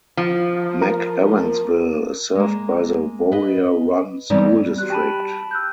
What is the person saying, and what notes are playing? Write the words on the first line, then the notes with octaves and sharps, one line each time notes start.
McEwensville is served by the Warrior Run School District.
F3
A#4
G#3 A#3
B4 D#5
E3 G3 B3 C4 D#4
F#4 G4 F#6
G4 G5 A5 B5 D#7
E6 F#6 G6